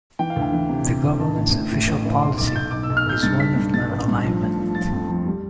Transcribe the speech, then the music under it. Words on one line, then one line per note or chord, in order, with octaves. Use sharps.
The government's official policy is one of nonalignment.
E3 G5
F5
D2
G5
E3
C3
C3
D2
A1 A5
A2
A2
A2
A1
A1
D6
B1 C6
B1 D6
A6
B1 G6
B1 D6
E6
B1
F6
B1 G6
G2 A6
G2 B6
G2
G2 A6
A1
G2
F3
A3
F3
F3 A6
F2
F3
G3